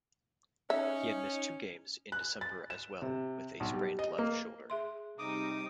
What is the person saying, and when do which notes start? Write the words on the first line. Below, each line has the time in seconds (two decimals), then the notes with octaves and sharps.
He had missed two games in December as well with a sprained left shoulder.
0.70 C#4 D#4 E5
2.12 F#6
2.41 A6
2.70 E7
3.02 C3
3.60 B1
3.73 G3
3.99 D#5
4.18 A#3
4.70 G#4 E5 C6
5.19 C3 G3 D#4 D6 D#6